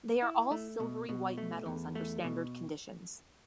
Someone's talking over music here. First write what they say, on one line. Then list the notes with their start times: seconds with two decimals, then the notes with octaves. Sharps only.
They all are silvery-white metals under standard conditions.
0.22 E4
0.51 A3
0.80 B2
1.09 B2
1.38 A3
1.66 E2
1.95 A3
2.24 B2